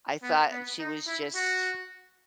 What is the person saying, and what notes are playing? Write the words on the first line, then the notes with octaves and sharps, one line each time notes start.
I thought she was just
B3
B3
D#4
E4
F#4